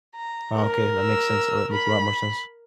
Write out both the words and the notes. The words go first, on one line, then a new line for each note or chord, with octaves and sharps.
Oh, okay, that makes sense. Oh, that makes a lot more sense.
A#5
A#4
E6
B5